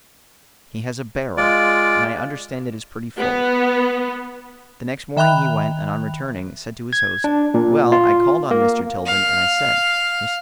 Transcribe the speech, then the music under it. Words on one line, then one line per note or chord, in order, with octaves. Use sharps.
He has a 'barrel,' and I understand it is pretty full." The next morning he went, and on returning said to his host: "Well, I called on Mr. Tilden, and I said: 'Mr.
G#3 F4 D5
B3
D#3 E5 G5 B5 F#6 F7
G#6
D4
A#2
F4
A#3
F5